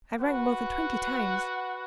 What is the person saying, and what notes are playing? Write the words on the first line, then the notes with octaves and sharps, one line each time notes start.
I rang more than twenty times.
F#4 B4 F#5